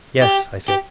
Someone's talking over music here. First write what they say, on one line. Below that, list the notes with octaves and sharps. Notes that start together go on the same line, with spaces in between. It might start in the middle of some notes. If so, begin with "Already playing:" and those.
"Yes," I said.
G4
G4